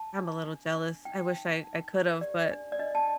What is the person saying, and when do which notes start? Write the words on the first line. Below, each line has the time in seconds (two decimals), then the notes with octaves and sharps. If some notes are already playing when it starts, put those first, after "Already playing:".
I'm a little jealous, I wish I I could've, but,
Already playing: A5
0.18 D4
0.47 D4
0.77 D4
1.05 D#4 G5
1.35 D#4
1.64 D#4
1.93 A#4
2.21 G4 D5
2.51 D4
2.72 D5
2.79 D4 D#5
2.95 A5